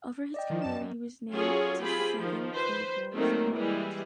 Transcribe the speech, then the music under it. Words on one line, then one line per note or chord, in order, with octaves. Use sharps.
Over his career he was named to seven Pro Bowl squads.
D5 D#5 G5
D#3 F3
F#2 A5 E7
F#2
F#3 C#4 F4 G#4 A4 C#5
C4 F4 G4 G#4 B5
D#3 F3
B4 C5
D#3 F#3 A3 A#3 C4
E3 G3 G#3 G#4